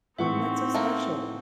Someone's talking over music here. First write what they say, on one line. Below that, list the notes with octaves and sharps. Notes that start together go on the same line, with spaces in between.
and that's so special.
A2 E3 C4 D#4 E5 F#5 C#6
A3 A#3